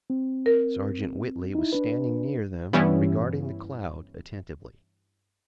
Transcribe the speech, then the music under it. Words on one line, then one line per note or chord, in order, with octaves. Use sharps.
Sergeant Whitley was standing near them regarding the cloud attentively.
C4
A#4
D#4 E4
D4 B4
G2 E3 G3 B3 C#4 E4